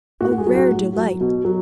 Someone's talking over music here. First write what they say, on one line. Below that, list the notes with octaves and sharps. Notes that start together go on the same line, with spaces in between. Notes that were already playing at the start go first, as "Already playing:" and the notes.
Oh, rare delight!
A2 F#4
F#4
G#4
F#3
F#4
A2
F#3
B2
F#3